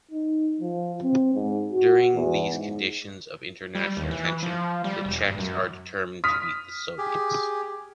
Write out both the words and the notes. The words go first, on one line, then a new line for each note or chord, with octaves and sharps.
During these conditions of international tension, the Czechs are determined to beat the Soviets.
D#4
F3
C4
G#2
F#4
E2
G#2
G3
D#2
E3
F3
G3
E1
G2
F#2
D#6 F6 B6
G4 G#4